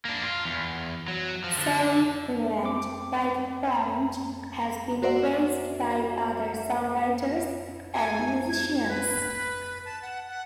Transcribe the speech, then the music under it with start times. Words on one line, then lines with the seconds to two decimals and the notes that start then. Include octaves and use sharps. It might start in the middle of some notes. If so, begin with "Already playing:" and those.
"Selling England by the Pound" has been praised by other songwriters and musicians.
0.05 A#3 D4
0.23 F4
0.45 E2
1.08 F#3
1.44 F3
1.58 D3
2.62 C4 D6
5.02 F#4 A#4 C5 D5 E5 F#5
7.93 G#5
8.49 G#6
8.88 B4
9.85 A5
10.02 F#5
10.29 F#5